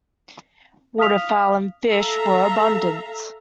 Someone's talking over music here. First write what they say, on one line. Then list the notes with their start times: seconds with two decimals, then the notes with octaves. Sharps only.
Water fowl and fish were abundant.
0.98 F5 D#6 F6 B6 F7
1.89 A4 E5 F5 A#5